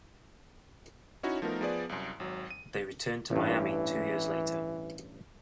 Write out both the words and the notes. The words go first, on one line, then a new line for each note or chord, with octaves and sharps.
They returned to Miami two years later.
C#4 D#4 E4 F#4 C#5
F3 A3 B3 D#4 A#4 A5
F3 B3 G#4 B4 D5
C2 F#2
G#1 F#3
D#7
A1 G2 E3